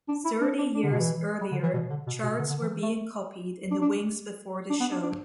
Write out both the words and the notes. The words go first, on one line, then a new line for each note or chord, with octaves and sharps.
Thirty years earlier, charts were being copied in the wings before the show.
D4
E4
D4
D4
D4
D3
B2
E3
G3
D3
E3
B2
D3
B2
B2
D3
D3
E3
A3
D4
D4
D4
B3
D4
D4